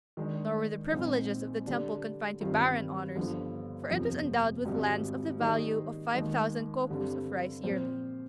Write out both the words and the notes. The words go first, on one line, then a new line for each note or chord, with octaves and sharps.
Nor were the privileges of the temple confined to barren honours, for it was endowed with lands of the value of five thousand kokus of rice yearly.
D#3 G#3 D4
A#1 A#2 G#3 C4 D#4
D3 G3 D4
G2 D#3 G3 C4 F4
G1 G2 D3 F3
G1 F2 C3 F3 C4
G#1 G#2 G3 C4
D#3 G3 A#3 D#4 G#4
D#2 D#3 G#3 D#4
G2 D3 G3 C4
A#2 F3 C4 F4 C5